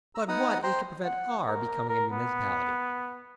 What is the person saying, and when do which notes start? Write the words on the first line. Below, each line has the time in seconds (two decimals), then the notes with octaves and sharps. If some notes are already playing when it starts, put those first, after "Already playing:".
"But what is to prevent our becoming a municipality?"
0.15 A#5 E6
0.28 B3 D#4 F#5 A#5 D#6
0.63 C5 G5 A#5 C6
1.04 F#5
1.48 A#4
1.89 A#4
2.12 B3